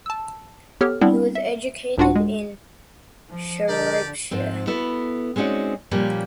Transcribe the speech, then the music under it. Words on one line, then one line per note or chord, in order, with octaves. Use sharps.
He was educated in Shropshire.
A5 E6
B3 G4 A4 C#5 F6
G3 B3 C4 D4 E4
E5
C2 G#2 D4 F4 F#4 F#5
G#3
F3
D3 D4 G4 A#4 D5 D#5
G#2 F3 C4
B3 E4 F#4 A4
G#3 C4 C#4 D#4 F#4 D5
A#2 F3 G3 A#3 C#4